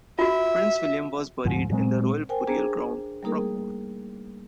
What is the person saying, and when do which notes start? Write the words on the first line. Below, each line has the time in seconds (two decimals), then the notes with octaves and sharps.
Prince William was buried in the Royal Burial Ground, Frogmore.
0.19 F4 F#4 E5
1.45 D2 G#2 F3
1.71 A#2 F#3 G#3 C4
2.29 A#4 C5 G5 G#5
2.47 D4 G#4 C5 A#5
3.23 G3 A3 A#3 D#4 G#4 A#4